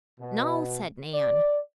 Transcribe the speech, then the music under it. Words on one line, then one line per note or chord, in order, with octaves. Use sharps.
"No," said Nan.
B2
D5